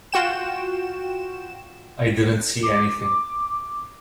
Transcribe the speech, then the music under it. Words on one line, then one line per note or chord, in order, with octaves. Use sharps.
I didn't see anything.
F4 F#4 G5 E7
D6